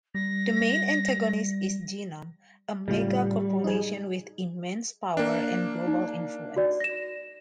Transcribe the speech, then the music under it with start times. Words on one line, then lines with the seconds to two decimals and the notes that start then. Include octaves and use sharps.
The main antagonist is Genom, a megacorporation with immense power and global influence.
0.15 G3 A#6
2.88 A2 C#3 G3 F4
3.64 D#4 G#4
5.17 A#3 D4
5.88 D#4
6.57 F#4 D5
6.80 A#6 E7